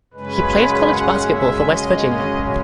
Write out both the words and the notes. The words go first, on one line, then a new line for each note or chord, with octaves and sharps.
He played college basketball for West Virginia.
F#2 C#3 G#3 C#4 B4
F#5
E5
D#5
D#5